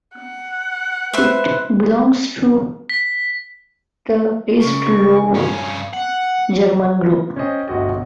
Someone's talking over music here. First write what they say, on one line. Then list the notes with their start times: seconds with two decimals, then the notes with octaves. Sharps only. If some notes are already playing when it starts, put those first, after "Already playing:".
It belongs to the East Low German group.
0.15 F#5
1.13 B4 C5 E5
2.89 B6
4.61 C#3 A#4 C#6
5.34 G2 C#4
5.93 F#5
7.36 C#4 C5 D#5 G5
7.68 G1 D2 F#4 G4 D#5
7.89 B1 B2